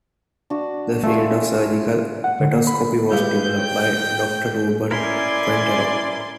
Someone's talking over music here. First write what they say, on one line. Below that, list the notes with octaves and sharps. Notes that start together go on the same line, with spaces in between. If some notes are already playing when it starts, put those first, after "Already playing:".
The field of surgical fetoscopy was developed by Doctor Ruben Quintero.
D4 F#4
A3 E4 F4 G#4
F#5
D3
A#3
B5
G3 G#3 G4 G#4 B4 F5 G6
C#5 G5
C#4 E4 A#4 D5 G#5 C6